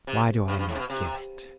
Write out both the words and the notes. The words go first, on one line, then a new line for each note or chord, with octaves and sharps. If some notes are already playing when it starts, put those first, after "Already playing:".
Why do I not give it?
C3
G2
G2
G#2
C3
B2
C3